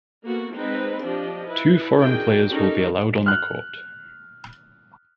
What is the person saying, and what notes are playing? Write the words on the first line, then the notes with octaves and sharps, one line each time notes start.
Two foreign players will be allowed on the court.
A#3 B3 F#4 A4
G#3 C4 D#4 B4 C5
F3 D4 G4 D#5
E4 B4
D#3 D4 F#4 G#4 G5
C#4 D#4 G4 A4 A#4
F6 F#6